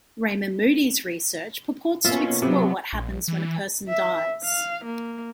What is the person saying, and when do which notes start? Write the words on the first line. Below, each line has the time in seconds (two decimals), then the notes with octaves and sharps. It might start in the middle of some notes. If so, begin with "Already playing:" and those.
Raymond Moody's research purports to explore what happens when a person dies.
2.04 B2 A#3 C#4 F4 E5
2.42 C3 F#3 B3
2.93 A#1
3.28 E3
3.88 E5
4.44 F5
4.84 A#3